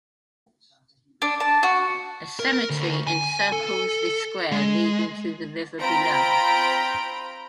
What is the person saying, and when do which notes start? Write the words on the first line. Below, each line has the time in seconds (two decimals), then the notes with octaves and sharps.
A cemetery encircles the square, leading to the river below.
1.22 D4
1.40 A5
1.63 F#4
2.40 A#4
2.70 D2
3.07 G#5
3.52 A4
4.52 G#3
5.80 C4 F4 G5 A#5 B5 D7